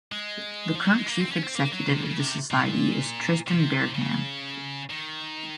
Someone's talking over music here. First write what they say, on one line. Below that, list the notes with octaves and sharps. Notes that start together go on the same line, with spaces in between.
The current chief executive of the society is Tristan Bareham.
G#3
F3
F#3
G#3
A#3
C4
C#4
C4
A#3
F#3
C3
C#3
C3
A#2
C3
C#3
D#3